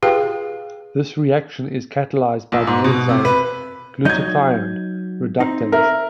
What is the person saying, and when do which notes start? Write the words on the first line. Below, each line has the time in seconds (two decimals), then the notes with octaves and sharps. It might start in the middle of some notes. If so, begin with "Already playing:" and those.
This reaction is catalyzed by the enzyme glutathione reductase.
0.03 F4 G4 G#4 B4 F5 G5
2.52 A#1
2.67 G#2
2.84 B2
3.09 C3
3.25 B4
4.05 F#3 D#4 D#5 G6 G#6
5.40 C4 D#4
5.72 A#4 E5